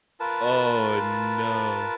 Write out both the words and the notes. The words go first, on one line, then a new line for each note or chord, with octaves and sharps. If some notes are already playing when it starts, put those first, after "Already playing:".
Oh, no.
F4 A#4 B4 A5